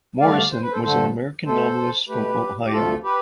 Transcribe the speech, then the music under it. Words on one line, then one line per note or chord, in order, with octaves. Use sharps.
Morrison was an American novelist from Ohio.
G2 D3 A3 D5 F5
C5
B4
A4 C5
G2 D3 A3 A4 C5
B2 A3 A4 C5
B2 A3 G4 B4
G4
D2 C3 F3 A3 F4 A4
G4 B4